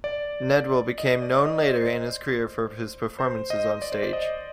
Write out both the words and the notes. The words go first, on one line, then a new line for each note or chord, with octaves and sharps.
Nedwell became known later in his career for his performances on stage.
D5
D#5
D5
D#5
D5
C5
C5
D#5
D5
C5
D5
D#5